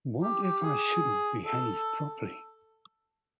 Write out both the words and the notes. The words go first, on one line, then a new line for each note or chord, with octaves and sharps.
What if I shouldn’t behave properly?
G4
G4
G#4
A4